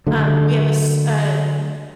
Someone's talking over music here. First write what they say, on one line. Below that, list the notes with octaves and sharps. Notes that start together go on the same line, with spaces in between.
Um, we have a s a
D3 F#3 A3